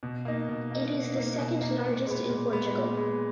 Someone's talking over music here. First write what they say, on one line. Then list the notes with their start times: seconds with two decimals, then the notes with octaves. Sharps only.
It is the second largest in Portugal.
0.03 B2
0.25 A#3 D#4
0.48 B2
0.71 A#3 D#4
0.93 B2
1.16 A#3 D#4
1.39 B2
1.61 A#3 D#4
1.84 A#2
2.07 G#3 B3
2.29 A#2
2.52 G#3 B3
2.74 A#2
2.97 G#3 B3